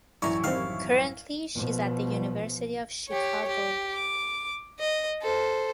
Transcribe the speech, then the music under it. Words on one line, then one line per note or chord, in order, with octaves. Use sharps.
Currently, she is at the University of Chicago.
A1 F#2 E4 D5 G#5 A#5 C#6
D#3 G3 C4 F5
B2 F3
G4 C#5
G4
D6
D#5
A4 C5